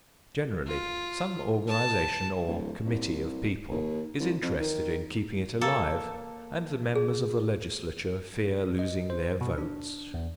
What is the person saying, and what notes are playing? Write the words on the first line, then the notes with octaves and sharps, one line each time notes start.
Generally some organization or committee of people is interested in keeping it alive, and the members of the Legislature fear losing their votes.
F4
A5
D1
C2
D#2
C2
F2
D#3
A#3 A4
G#4
D#5
C5
B2
D4
E2